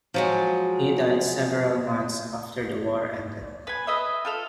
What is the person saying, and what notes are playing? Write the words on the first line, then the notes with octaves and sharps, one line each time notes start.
He died several months after the war ended.
F3 F#3 G#3
B4 G#5
B4 D#5 E5
F4 A4 F6